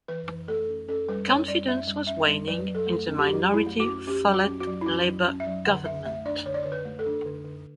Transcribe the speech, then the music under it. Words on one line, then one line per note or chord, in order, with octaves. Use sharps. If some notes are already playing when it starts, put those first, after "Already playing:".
Confidence was waning in the minority Follett Labor government.
E3 B4
E3
A3 A4
C#4
C#4 A4
G3 B4
C#4 C#5
G3 D5
C#4 E5
G3
C#4 E5
G3
F#3 B4
F#3
A4
A3
C#4
G4
F#3 F#4
F#3
E4
A3
F#4
C#4
C#4 G4
F#3
F#4
C#4
F#4
F#3
E4
C#4 F#4
F#3
C#4
E5
F#3
D3 F#5
D3 E5
A3 E5
D4 D5
D3 C#5
D5
D3 C#5
B4
A3
A4
D4
D3
D3